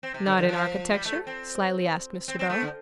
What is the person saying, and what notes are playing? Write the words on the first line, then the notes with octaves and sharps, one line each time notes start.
'Not in architecture?' slyly asked Mr. Bell.
C4
C3
D3
D3
F3
G3
A3
C4
C4
C4
A3
D3